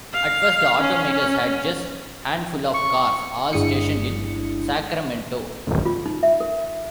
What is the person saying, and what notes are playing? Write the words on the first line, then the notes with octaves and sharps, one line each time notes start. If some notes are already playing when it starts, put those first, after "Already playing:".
At first, the automakers had just handful of cars all stationed in Sacramento.
F5
C#4
C#6
G1 G#3 D4 E4 D#6 C#7
F4
D#4
E5
A#4